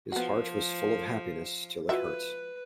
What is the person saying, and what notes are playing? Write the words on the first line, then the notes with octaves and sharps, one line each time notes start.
His heart was full of happiness till it hurt.
F3 B3 F#4
F3 F#4 B4 E5